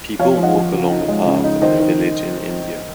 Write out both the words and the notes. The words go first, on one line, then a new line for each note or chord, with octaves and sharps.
People walk along a path in a village in India.
F3 C#5 F5
F3
D#5 F#5
F3
C#3
D#4
G#3
C#3
D#4
D#3 C5 D#5
D#3